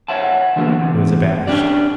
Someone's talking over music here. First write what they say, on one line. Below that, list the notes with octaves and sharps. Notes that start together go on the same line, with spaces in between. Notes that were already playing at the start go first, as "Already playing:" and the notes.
He was abashed.
C#5 E5 F#5 A5
E2 D3 F#3 A#3 B3
E2 C3
C#4 D4 G4 D5